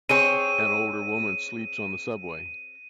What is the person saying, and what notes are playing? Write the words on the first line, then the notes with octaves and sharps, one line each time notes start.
An older woman sleeps on the subway.
C4 G#4 C#5 D#7